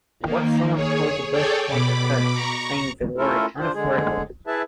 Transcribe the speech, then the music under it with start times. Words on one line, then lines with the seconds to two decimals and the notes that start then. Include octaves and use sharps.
Watson opposed the Bush tax cuts, saying they were unaffordable.
0.23 D#3 A#3
0.75 G#4 C#5
1.31 G#4 A4 C#5 D5 G5
1.67 B2 B5 D6
2.33 A#5 C#6
3.18 A3 C#4 E4 F4 A4 A#4
3.60 D4 F4 C5
3.75 D3 G#3 G#4
4.47 E4 G#4 B4 E5 A5